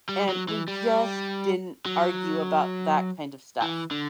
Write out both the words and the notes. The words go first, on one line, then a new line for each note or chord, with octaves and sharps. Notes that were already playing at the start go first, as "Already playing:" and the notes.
and we just didn't argue about that kind of stuff,
G3
F#3
E3
G3
F#3
E3
D3